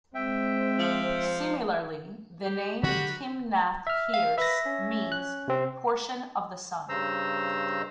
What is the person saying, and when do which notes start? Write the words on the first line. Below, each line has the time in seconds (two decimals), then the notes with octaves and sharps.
Similarly, the name "Timnath-heres" means "portion of the sun".
0.15 G#3 C4 E5 G5
0.79 F3
2.42 G4
2.83 D3 F#3 G#3 F#4 G4 B5
3.87 E5 F6
4.14 F5
4.38 B4 E5 A#6
4.66 C#4
5.12 F#6
5.48 C3 C4
6.89 G2 C#3 C5 A#5 E6